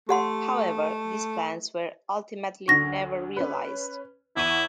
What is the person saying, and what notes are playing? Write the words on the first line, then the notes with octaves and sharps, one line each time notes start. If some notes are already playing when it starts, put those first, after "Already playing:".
However, these plans were ultimately never realised.
A3 G4 F#5 C6
D2 D3 C#6 A#6
C#4 B4
E2 E4 C#6 D#7